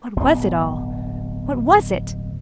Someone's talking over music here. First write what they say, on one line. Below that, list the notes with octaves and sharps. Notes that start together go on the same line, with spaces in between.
What was it all--what was it?
D1 G1 B2 B3